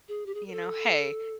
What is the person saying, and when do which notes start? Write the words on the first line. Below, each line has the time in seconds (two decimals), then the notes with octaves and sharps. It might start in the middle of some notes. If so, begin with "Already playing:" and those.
you know, "Hey,
0.08 G#4
0.26 G4
0.34 G#4
0.48 A#4
0.52 A4